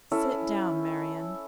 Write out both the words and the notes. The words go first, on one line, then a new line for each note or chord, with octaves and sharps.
Sit down, Marian.
C#4 E4 A4